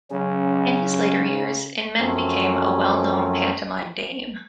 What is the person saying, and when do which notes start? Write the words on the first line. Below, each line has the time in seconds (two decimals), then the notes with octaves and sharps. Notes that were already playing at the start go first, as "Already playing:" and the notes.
In his later years, Inman became a well known pantomime dame.
0.11 C#3 F#3 C#4
1.98 F#2 F3 F#3 A3 C4 C#4